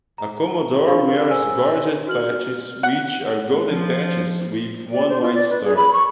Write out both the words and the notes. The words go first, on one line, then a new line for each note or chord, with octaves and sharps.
A commodore wears gorget patches which are golden patches with one white star.
A#5
D4 G#4 A#4 F5 B5 C#6
C5 G#5 E6
F#4 F6 F#7
F#5
F3
D5
C5
F4
D5
B4
G#4
B5
C#6